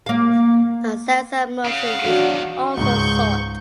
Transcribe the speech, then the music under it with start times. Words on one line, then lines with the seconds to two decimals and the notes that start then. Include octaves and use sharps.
A sense of motion is also sought.
0.06 A#3 F5
1.65 C#3 F5 F#5
2.05 E2 D#3 F#3 D4 F#4
2.77 C#2 G#2 C#6 G6